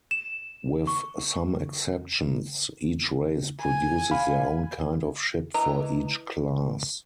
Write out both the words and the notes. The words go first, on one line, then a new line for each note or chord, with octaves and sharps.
With some exceptions, each race produces their own kind of ship for each class.
E7
C#6
G#5
F5 B5
E3 D#5 A#5